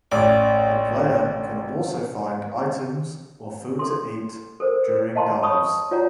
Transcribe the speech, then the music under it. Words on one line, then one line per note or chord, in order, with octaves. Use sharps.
The player can also find items or food to eat during dives.
A1 D5
A4 C6
A4 A#4 C5
D#5 F5 A5 A#5 C6
C#5 A5 B5 C#6 D#6
F4 C#5 D5 F#5 A#5